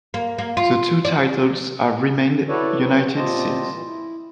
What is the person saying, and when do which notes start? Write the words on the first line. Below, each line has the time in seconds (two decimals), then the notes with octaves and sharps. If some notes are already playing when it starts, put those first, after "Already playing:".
The two titles have remained united since.
0.14 A#3
0.38 A#3
0.57 F4
1.05 D5
2.49 E4 F#4 A4 B4 C#5 D5
2.77 F#3 B3 C4 F#4
3.16 A#2 C4 F4 G4 D#5 A5
3.70 A#2 E3
3.87 E4